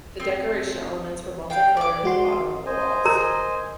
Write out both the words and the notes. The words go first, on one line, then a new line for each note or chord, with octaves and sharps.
The decoration elements were multicoloured at the bottom of the walls.
C4
F5 G5
D5 D6
G#3 F#4 C6
C5 D#5 G#5
A#4 A#5